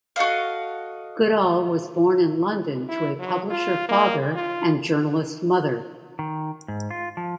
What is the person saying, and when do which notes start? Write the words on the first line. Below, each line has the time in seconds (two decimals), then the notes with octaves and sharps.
Goodall was born in London to a publisher father and journalist mother.
0.16 F#4 A4 D#5 F5
2.89 E4
3.19 F#3
3.50 F4
3.89 A#3
4.35 F4
6.19 D#3
6.68 G#2
6.91 F4
7.17 F3